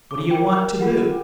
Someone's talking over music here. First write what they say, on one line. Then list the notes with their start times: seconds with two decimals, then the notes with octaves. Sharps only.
What do you want to boot?'
0.11 D6
0.31 A#4 G5
0.81 F4 F#5
1.08 G4